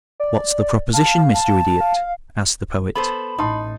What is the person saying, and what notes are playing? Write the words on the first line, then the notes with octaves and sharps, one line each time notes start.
"What's the proposition, Mr. Idiot?" asked the Poet.
D5
F5 A5
A5
F5
B3 A4 C5 B5
A1 A2 D#4 D#5 A5 C6